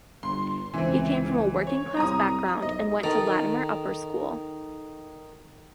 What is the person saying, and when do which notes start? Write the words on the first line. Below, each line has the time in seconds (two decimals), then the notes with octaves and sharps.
He came from a working-class background and went to Latymer Upper School.
0.23 G1 C6
0.74 C#2 E3 C4
1.67 C#5
1.97 C2 A#5 D#6
2.62 B1 D#5
3.03 D#3 D#4 A4